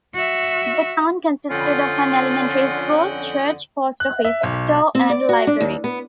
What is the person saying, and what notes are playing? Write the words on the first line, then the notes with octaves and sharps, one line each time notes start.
The town consisted of an elementary school, church, post office, store, and library.
F#4 E5
F2 D3 C#4 F4 D#5 F#5 G5
F#6
E5
B1
C4
D5
F#4
D4
D#2
B3